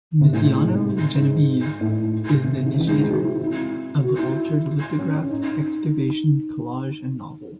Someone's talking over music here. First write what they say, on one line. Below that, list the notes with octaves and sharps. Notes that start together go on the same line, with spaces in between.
Misiano-Genovese is the initiator of the Altered Lithograph, Excavation Collage and Novel.
C3
A2
G#2
G#2
A2
C3
C#3
D#3
E3
G#3
C4
F#4
E4
E4
F#4
E4
C#4
C#4
D#4